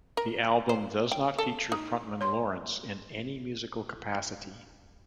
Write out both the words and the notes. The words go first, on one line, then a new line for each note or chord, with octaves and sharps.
The album does not feature frontman Lawrence in any musical capacity.
A#4
C5
G5
A4
D#4
C#5 C6